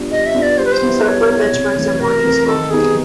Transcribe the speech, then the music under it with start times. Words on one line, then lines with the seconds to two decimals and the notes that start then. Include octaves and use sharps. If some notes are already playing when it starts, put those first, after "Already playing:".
Software benchmarks are more useful.
Already playing: G3 B3 D4 F4
0.10 G3 D#5
0.26 E5
0.35 B3 D4 F4
0.42 D5
0.58 G3 C5
0.65 B4
0.72 C5
0.82 B3 E4
1.05 G3 C#5
1.29 B3 E4
1.52 C3
1.76 E3 A3 C4
2.00 C3 A#4
2.23 E3 A3 C4
2.47 D#3 A4
2.70 G3 B3 D#4 G#4